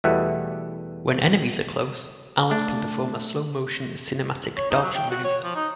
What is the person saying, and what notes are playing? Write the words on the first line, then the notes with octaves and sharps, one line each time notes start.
When enemies are close, Alan can perform a slow-motion cinematic dodge maneuver.
E2 B2 G3 A3 E5 F#5
A3 D4
C#5
D#4
F#3
G5
F#4
C#5
F3
D#4